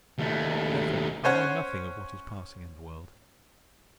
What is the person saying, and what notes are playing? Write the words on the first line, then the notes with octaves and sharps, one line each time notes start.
Therefore, I know nothing of what is passing in the world.
D#2 A3
C#4 C5 C#5 F#5